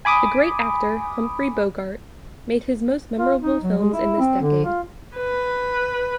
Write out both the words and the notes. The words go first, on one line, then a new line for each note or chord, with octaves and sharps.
The great actor Humphrey Bogart made his most memorable films in this decade.
G#5 B5 D6 D#6
F4
D#4
F#3
G#3
E4
C4
D3
F4
B4